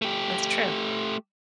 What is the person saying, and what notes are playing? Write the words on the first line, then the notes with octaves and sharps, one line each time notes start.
That's true.
A3 G4